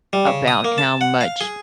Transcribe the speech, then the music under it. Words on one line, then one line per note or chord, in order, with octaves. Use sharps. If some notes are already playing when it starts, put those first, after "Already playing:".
about how much
G3
C#3
D#6
A#3
A5
F#5
F5
G#4